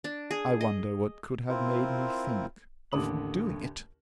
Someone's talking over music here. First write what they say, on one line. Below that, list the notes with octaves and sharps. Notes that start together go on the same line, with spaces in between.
I wonder what could have made me think of doing it!
D4
G#4
D#5
C4 E4 F4 A#4 C5
A1 D#2 D3 D6 D#6 F#7